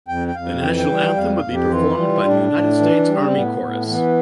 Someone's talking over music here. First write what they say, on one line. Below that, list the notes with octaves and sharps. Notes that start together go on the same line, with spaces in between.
The national anthem would be performed by the United States Army Chorus.
F2 G5
G5
F2 F5
E3 G5
G5
G3
F2 F5
F5
F2
G4
E3 F4
G3
A2 D4
A2
E3
G3
D4
C4
A2 B3
A2
E3 B3